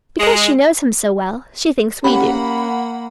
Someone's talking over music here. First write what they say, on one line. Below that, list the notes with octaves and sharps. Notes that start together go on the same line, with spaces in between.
"Because she knows him so well, she thinks we do."
G#3
A#3 C#4 G4 F#5 B5